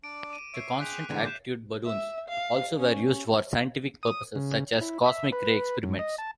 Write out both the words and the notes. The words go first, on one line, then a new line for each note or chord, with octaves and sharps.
The constant-altitude balloons also were used for scientific purposes such as cosmic ray experiments.
D4 D5 D7
D6 D#7
C#5 E5 C7 D7
G#4 G5 C6 F#6 B6 F7
G#2 D3 E3 D4 G4 G#5
G6 E7
E5
F5
C#4
D#6
C#3
E4
E5
B4
F#2
D#5
A5